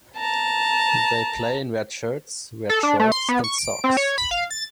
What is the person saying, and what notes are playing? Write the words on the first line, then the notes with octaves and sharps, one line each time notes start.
They play in red shirts, red shorts and socks.
A5 A#5
A4
D4
A3
C6
B3
C#6
D7
C4
C#5
B5
F5
A6